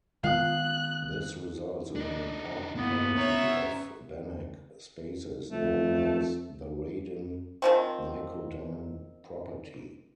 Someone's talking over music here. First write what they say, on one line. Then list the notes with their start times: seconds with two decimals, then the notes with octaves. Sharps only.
This results in an important property of Banach spaces known as the Radon-Nikodym property.
0.24 D#3 G#3 B3 F5 D#6 F#6
1.96 D4 D#4
2.75 A#3 B3 E4
3.16 C#4 C#5 E5 A#5
5.51 F2 A3
7.62 D#3 F3 C4